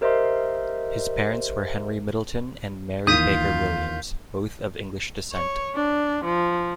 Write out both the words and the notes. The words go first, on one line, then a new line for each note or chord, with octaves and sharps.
His parents were Henry Middleton and Mary Baker Williams, both of English descent.
G4 A#4 C5 D#5 E5 C6
D#2 E3 F4 D#6 G6 B6
C#5
D4
F3